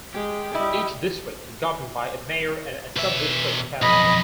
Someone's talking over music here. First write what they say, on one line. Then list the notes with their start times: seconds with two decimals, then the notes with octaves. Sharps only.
Each district is governed by a Mayor and a Sub-District Council.
0.14 G#3 G4
0.55 G3 E4 D#5
2.96 B2 E5
3.82 B1 F2 D#5 B5